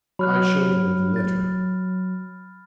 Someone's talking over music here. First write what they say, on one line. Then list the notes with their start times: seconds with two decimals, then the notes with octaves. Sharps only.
'I showed her the letter.'
0.19 F#3 B5 F6 F#6
1.16 A6